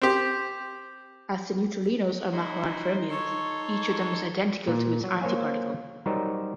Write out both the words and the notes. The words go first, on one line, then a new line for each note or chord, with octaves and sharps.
As the neutralinos are Majorana fermions, each of them is identical to its antiparticle.
C4 G4
D#4 E4 F#4 C6
A4 C#5 C#6
A#2
F#3
A#3 C5 C#5 F5 G#5
F#3 G3 D#4 A#4 C5